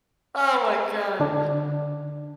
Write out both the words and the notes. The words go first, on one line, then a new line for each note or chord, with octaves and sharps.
Oh my God.
D3 D4